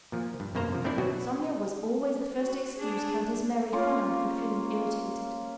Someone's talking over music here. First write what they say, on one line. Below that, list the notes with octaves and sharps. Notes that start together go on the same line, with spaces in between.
Sonya was always the first excuse Countess Mary found for feeling irritated.
A#2 F3
G2
F#2 B2 A#3 C5 A#5
C3 F3
A3 C4 D4 E4 D5
B2 F#3 F#4
F#4
D4 G#4
A#3 C#4 F4 C5